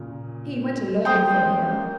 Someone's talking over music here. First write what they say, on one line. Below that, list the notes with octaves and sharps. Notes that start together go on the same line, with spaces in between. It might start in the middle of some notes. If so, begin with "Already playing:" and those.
He went alone from here.
Already playing: A#2 C#3
G3 A#3 C5 G5 C6 D#6
G#3 C4
A#3 C#4